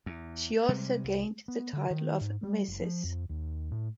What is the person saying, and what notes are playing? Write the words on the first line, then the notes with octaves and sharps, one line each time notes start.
She also gained the title of Mrs.
E2
C3 G3 G#3
C2
B3
D3
D#3
G#2
G3
F#1
F3
F2
D#2
A2